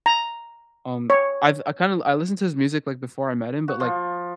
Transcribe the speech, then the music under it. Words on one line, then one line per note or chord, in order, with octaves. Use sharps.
Um, I've I kinda I listened to his music, like, before I met him, but, like,
A#5
C#5
F#4
F3